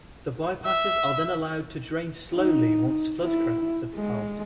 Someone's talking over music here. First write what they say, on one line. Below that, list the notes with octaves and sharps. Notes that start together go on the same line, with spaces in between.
The bypasses are then allowed to drain slowly once flood crests have passed.
E5
D#4
E4
G#3